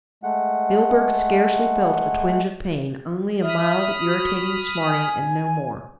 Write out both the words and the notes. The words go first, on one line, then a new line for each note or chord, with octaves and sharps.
Milburgh scarcely felt a twinge of pain, only a mild irritating smarting and no more.
G#3 A3 F#5
E5 B5 D#6 F6
F#4
G#5